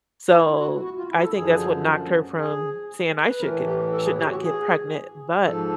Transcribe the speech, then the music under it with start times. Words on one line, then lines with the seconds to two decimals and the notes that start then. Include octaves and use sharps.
So, I think that's what knocked her from saying, "I should get should not get pregnant." But
0.33 E4
0.59 F#4
0.85 F#4
0.98 F4
1.10 E4
1.23 A4
1.36 F#2 D3 F3 G#4
2.38 G#4
3.29 B4
3.41 A2 E3 A#4
3.66 G4
3.92 A4
4.05 G#4
4.18 G4
4.31 F#4
4.43 G#4
5.46 G#2 F3 A4